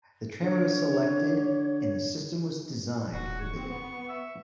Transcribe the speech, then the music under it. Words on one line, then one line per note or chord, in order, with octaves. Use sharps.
The tramway was selected and the system was designed for bidding.
D3 C#5
D#1 F#4
C#6
C4
B3
E5